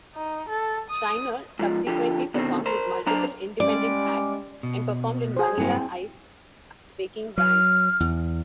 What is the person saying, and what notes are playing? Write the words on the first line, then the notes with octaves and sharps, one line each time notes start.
Shriner subsequently performed with multiple independent acts, and performed in Vanilla Ice's backing band.
D#4
A4
D#6
G#2 F3
D3 F3 G4
B2 D3 D#3 C4
A#4 C5
F#3 D4 C5 D5 A#5
G3 G#3 C#4 D5
B2
G#4 C5
G2 F#3 A#3 C4 E4
F#3 F6
E2